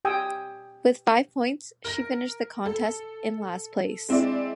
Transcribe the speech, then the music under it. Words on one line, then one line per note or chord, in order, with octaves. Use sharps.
With five points, she finished the contest in last place.
G4 G5 G#5 D#6 E6
A#4 A#6
A4
G#3 C4 E4 D5